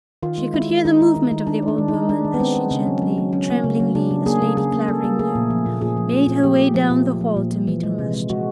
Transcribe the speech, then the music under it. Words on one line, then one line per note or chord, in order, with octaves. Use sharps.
She could hear the movement of the old woman as she gently, tremblingly, as Lady Clavering knew, made her way down the hall to meet her master.
D#3 F4
G#3
G#3 E4
G#3
D#3 D#4
G#3
D#3
D#3
D#3 D4
G#3
D4
D#3
D#4
G#3
G#3 D4
D#3
B3
G#3 C4
G#3
C#3 C#4
F#3
F#3
F#3
F#3 C#4
A#3
C#3
F#3
C#3 D4
C#3
A#3 G#4
C#3
C#3 G#4
A#3
A#3 A4
A#3
A3 G#4
A#2
F3
A#2
A#2 G#4
F3
A3
A#2
F3 G4
A3
F3
A#2
F3
F3
A#2
F3
E3
G#3
C3
G#3
G#3 F#4